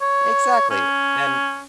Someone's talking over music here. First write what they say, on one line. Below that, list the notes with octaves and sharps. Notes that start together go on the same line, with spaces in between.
Exactly, and
C#5
C#4